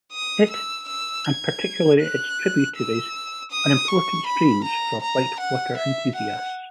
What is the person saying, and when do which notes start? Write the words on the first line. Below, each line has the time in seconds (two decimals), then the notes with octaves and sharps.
It, and particularly its tributaries, are important streams for whitewater enthusiasts.
0.12 D#6
0.50 E6
0.88 E6
1.25 G#6
2.01 F#6
2.75 E6
3.51 D#6
3.88 C#6
4.27 B5
4.65 A#5
5.02 A#5
5.40 F#5
5.77 E5
6.15 F#5